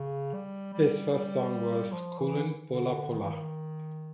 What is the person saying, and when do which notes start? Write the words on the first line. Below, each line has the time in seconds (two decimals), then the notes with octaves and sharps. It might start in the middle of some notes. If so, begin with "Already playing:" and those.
His first song was "Kullen Pola Pola".
Already playing: C#3
0.34 G3
0.73 G3
1.13 G3
1.93 F3
2.18 E3
2.71 D3
3.11 D#3
3.20 E3
3.30 D#3